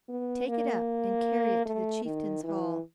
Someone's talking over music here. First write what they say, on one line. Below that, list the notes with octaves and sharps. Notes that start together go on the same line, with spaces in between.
Take it up and carry it to the chieftain's hall.
B3
A#3
A3
D#3
E3